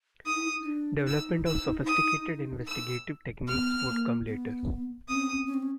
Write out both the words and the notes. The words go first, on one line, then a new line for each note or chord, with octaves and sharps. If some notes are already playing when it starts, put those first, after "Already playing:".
Development of sophisticated investigative techniques would come later.
D#4 D#6
E4
D#4
D#4
D4
D4
D#4 E6
E6
D#6
E6
B3 F6
A#3
B3
C4 D#6
C#4
C4
C#4
C4
C#4
C4
C#4